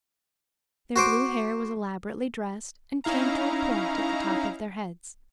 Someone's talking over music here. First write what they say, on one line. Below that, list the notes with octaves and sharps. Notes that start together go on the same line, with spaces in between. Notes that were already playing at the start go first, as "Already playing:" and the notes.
Their blue hair was elaborately dressed and came to a point at the top of their heads.
F#4 C5 D6
C#4 D#4 E4 F5 A#5